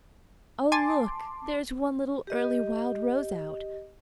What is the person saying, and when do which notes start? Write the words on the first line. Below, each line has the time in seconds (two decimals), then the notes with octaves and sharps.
Oh, look, there's one little early wild rose out!
0.72 G#5 A5 C6 D6 A6
2.27 G4 D#5